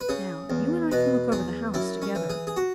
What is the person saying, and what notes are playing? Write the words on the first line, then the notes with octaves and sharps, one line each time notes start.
"Now, you and I can look over the house together."
B4
C#3 G#4
E2
B2 B4
E2 G#4
F#2 E4
C#4
E3
G#4
G#4
F#4